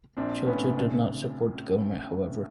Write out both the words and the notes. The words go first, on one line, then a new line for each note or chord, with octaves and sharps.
Churchill did not support the government, however.
A#1 C4 D4
A2 B3 C#4
C#3 C4 D4